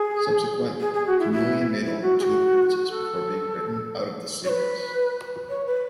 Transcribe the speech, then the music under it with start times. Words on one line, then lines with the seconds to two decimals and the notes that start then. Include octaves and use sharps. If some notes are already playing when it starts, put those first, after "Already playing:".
Subsequently, Kamelion made only two appearances before being written out of the series.
Already playing: G#4
0.80 G#4
0.93 G#4
1.06 F#4
1.19 E4
1.32 E4
1.84 E4
2.02 F#4
2.19 G#4
2.23 F#4
2.88 A4
4.44 C#5
4.49 B4
5.49 C#5
5.66 B4